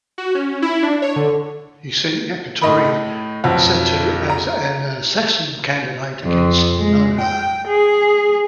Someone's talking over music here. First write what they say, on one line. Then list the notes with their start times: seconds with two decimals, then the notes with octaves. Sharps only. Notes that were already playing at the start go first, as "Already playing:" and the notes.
He sent Yukari Sato as an "assassin" candidate against Noda.
0.18 F#4
0.35 C#4
0.62 E4
0.83 D4
1.02 C#5
1.16 D3
2.62 A2 D#5 B5
3.44 B1 F2
4.30 A#5
6.24 F2
6.78 G#3
7.21 G5
7.68 G#4